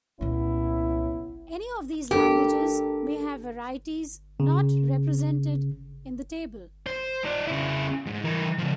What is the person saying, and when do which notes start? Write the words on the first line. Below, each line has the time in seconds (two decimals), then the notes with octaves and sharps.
Any of these languages may have varieties not represented in the table.
0.21 C2 A#2 B3 C#4 E4
2.11 D4 G4 A4 A#4
4.40 C#3
6.86 C5
7.24 D#4 D5
7.47 C#3 E4
8.06 G#2
8.24 E3 A#4
8.58 C#2 F3